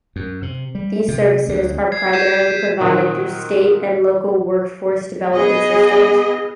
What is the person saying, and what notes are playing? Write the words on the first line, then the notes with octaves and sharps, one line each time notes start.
These services are primarily provided through state and local workforce development systems.
F#2
C3
G3
C3
D2
G#6 C7
G6 G#6 B6 C7 D#7 E7
B6
A#2 D#3 F#3 A#3 C4 F#4
B3 G#4 D#5